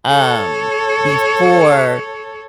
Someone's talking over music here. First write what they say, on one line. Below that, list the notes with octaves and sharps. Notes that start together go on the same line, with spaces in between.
Um, before
A4 C#5